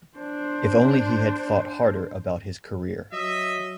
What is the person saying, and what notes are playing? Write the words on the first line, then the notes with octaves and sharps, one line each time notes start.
If only he had thought harder about his career.
D4 C5
F#3 D#5 E5